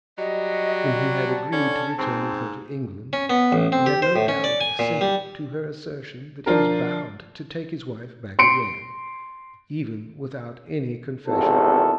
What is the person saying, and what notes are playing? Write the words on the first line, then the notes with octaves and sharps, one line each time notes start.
When he had agreed to return with her to England he had no doubt assented to her assertion that he was bound to take his wife back again, even without any confession.
F#3 G3 D#5
A5
D3 C#4
G#2 C4
C#4
B3
A1
C4
G4
C5
A2
C#4
D5
G#5
A#2
G3
F3 D4 F4 A#4
C6 C#7 D7
G#1 E2 C3 A4